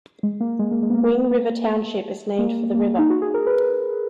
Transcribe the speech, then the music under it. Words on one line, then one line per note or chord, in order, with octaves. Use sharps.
Wing River Township is named for the river.
G#3
A#3
G#3
A#3
G#3
B3
A#3
A#3
A#3
A#3
D#4
F#4
G#4
A#4
B4